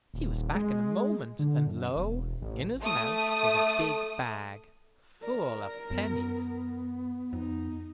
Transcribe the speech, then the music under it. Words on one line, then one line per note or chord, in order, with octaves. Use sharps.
He was back in a moment, and lo! in his mouth was a big bag, full of pennies.
D#1
G#3
D3
F#2
E1
A1
A3 D#6
A#4 D5
F#2 B3
F2 D#4